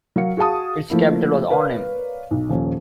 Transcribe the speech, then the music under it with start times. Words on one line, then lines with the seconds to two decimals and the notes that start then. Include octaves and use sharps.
Its capital was Arnhem.
0.16 F#3 A#4 F5 C#7
0.37 F#4 G#4 F5 A5 D#6
0.90 F3 A3 A#3 E4
1.50 A#4 B4 C#5 D5 F5
2.31 B1
2.49 D#1 F3 C#4